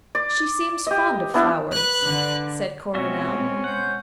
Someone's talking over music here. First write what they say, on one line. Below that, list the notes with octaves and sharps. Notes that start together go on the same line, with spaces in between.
"She seems fond of flowers," said Coronel.
D5
G4 D#5
B3 D4 E4
B4 F#6
D3
B2 G#3 C4 C#4 F4 F#4 E5
C5 F#5 G6